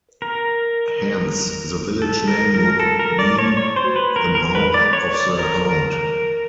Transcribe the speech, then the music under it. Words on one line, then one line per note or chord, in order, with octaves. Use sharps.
Hence the village name would mean "The Mouth of the Hound".
A#4
A4
A#4
A#4
A4
A#4
D5
C#5
C#5
C5
B4
A#4
A#4
B4
D5
C#5
D5
A#4
A#4